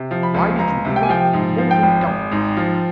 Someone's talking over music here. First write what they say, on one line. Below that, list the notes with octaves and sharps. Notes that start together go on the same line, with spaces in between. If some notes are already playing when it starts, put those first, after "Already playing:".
"Why did you leave her a moment in doubt about it?"
Already playing: C3
F3
B5
C#2
C#2 A#5
C3
G5
G#5
F3 G5
G#2
F3
G5
G#1
G#1
G#2
F3